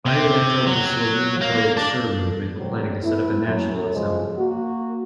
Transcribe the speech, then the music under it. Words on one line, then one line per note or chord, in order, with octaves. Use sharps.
By early October, the Slovene-Croat-Serb movement were planning to set up a National Assembly.
C3
F#3
A#3
D4
C3 E3 F#3 G3
A3 B3 E4
F#2 F#3
C#3 F3 G#3
A#3 F#4